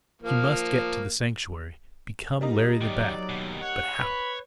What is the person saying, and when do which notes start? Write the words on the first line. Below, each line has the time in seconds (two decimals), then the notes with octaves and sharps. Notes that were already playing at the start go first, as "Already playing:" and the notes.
He must get to the Sanctuary, become Larry the Bat--but how?
0.22 F3 A#3
2.41 G3 A#3 D#4
2.81 F#2 D#3 F#3 D5
3.29 D#2 B2
3.61 C#5 F#5
3.98 B4 B5